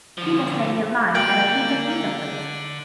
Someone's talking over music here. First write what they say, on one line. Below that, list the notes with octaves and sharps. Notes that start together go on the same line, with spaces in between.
People standing in line at a Pizza Pizza place.
D3 F3
D3 A#3 G5 D7 F#7